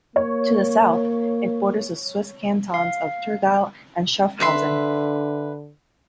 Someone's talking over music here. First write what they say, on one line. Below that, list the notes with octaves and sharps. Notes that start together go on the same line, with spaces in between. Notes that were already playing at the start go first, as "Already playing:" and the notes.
To the south it borders the Swiss cantons Thurgau and Schaffhausen.
A#3 C#5
F5
D3 B4 E5 C6